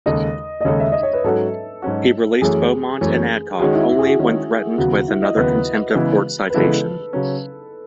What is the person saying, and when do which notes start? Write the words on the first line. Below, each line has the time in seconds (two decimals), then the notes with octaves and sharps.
He released Beaumont and Adcock only when threatened with another contempt of court citation.
0.06 D#2 C#3 G#3 D#4 A4 D#5
0.61 D#5
0.65 D#2 C#3 G#3 D#4 A4 C#5
0.80 E5
0.92 D#5
1.03 C#5
1.13 B4
1.24 G#2 F#3 C#4 F#4 A4
1.82 G#2 F#3 C#4 F#4
2.41 F#2 E3 A3 C#4 G#4
3.01 F#2 E3 A3 C#4
3.59 D#3 G#3 C#4 F#4 G#4
3.74 E4
3.90 E4
3.99 G#4
4.04 F#4
4.19 D#3 G#3 C#4 G#4
4.78 D#2 C#3 F#3 B3 F#4
5.08 E4
5.22 D#5
5.36 D#2 C#3 F#3 B3 B4
5.95 C#3 E3 G#3 B3 E4
6.50 B4
6.54 C#3 E3 G#3 B3 E4 A4
7.13 C#3 F#3 C#4